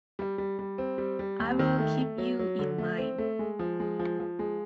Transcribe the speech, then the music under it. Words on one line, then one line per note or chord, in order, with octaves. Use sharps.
I'll keep you in mind.
G3
G3
G3
C4
G3
G3
D#2
D#3
A3
A3
F#3
F#3
D3
A3
C4
A3
G#3
F3
G#3
F3
F3
G#3